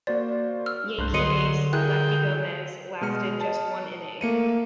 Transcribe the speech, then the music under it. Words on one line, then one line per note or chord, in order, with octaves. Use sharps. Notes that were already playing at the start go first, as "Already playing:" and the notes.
Yankee ace Lefty Gomez lasted just one inning.
A#3 F#4 C5 D5
E6 F6
C2 G2 C5 F#6
D3 F#3 G#4 D#5 C6 C#7 D#7
E4 G#4 A#4 G5 F#6
B2 G#3 F6 C#7
D#5 A5
A3 A#3 C#7 D#7